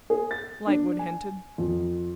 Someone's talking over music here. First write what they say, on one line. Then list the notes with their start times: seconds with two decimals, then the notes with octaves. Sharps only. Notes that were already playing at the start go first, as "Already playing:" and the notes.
Lightwood hinted.
0.10 G#4
0.31 A6
0.67 D4
0.99 G#5
1.58 F2